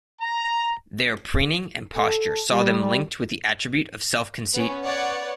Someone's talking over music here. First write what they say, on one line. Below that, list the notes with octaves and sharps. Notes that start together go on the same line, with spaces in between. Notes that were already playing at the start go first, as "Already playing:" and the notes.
Their preening and posture saw them linked with the attribute of self-conceit.
A#5
A4
G3
B3 C#4
B4 C#5 D5 F#5